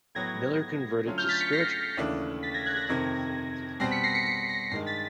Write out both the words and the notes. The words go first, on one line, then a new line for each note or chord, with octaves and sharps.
Miller converted to spiritualism after attending seances of the Eddy brothers.
A2 F#3 B3 G#6 A#6
D3 F#3 A3 C#4 F4
F6 G6
A6 B6
B6 C#7
A#6 C7
D#2 C#3 E3 A3 D4
A6 B6
G#6 A#6
F#6 G#6
G#6 A#6
F2 C3 D#3
B2 G3 C4 A#6 C7
B6 C#7
A#6 C7
B6 C#7
B6 C#7
A#6 C7
G2 D#3 G#3 A#6 C7
A6 B6